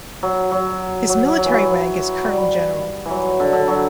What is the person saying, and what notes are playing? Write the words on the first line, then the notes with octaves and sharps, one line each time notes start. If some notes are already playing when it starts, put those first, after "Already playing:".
His Military rank is Colonel-General.
F#3
F#3
F#3
F#3
E3
F#3
G3
E3
F#3
D3
D3
F#3